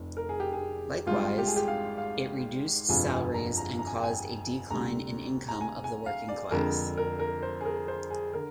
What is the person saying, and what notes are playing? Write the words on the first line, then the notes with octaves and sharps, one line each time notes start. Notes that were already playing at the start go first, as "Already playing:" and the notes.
Likewise, it reduced salaries and caused a decline in income of the working class.
Already playing: F1 F2
A#4
G#4
G4
G#4
G#1 G#2 G3 F4
G4
G#4
G4
F5
F5
G1 F2 C3 F3 G#3 G#5
G#5
A#5
A#5
A#5
G#5
G5
G#5
D2 C3 G3 A#5
A#5
G#5
G#5
F5
D5
F2 D3 G#3 A#4
A#4
A#4
C5
G#4
A#4
C5
G#4
D3 A#4